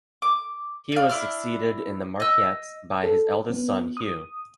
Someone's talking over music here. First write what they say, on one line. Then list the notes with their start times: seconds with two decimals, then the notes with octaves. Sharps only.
He was succeeded in the marquessate by his eldest son, Hugh.
0.22 D6
0.92 D5 F5
1.09 D4 E4 F6
2.20 D#5 E6
3.04 A4
3.50 B3
3.97 D#6